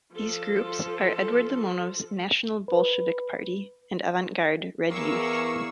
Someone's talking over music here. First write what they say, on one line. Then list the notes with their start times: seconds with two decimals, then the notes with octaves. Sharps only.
These groups are Eduard Limonov's National Bolshevik Party and Avant Garde Red Youth.
0.14 F3 A4
2.68 B4
4.90 E2 G#4 A#4 F5 B5 C#6 D6 E6